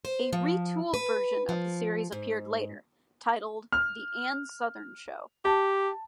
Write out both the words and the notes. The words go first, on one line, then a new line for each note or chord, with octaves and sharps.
A retooled version of the series appeared later, titled "The Ann Sothern Show".
C5
F3
B4
F3
G#2
F6
G4 A5